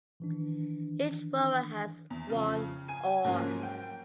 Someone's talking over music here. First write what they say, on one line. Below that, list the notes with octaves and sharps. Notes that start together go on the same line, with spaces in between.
Each rower has one oar.
D#3 E3 D4
E2
F2 C#3
G#5 D#7
G#2 F3 F#3 G#3 A#3 C#4
G5